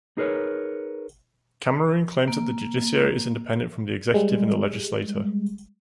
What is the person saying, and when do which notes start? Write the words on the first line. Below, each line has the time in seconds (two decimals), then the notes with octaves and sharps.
Cameroon claims that the judiciary is independent from the executive and the legislature.
0.17 D#4 G#4 A#4 B4 C#5
2.28 A#3
4.14 G3 G#3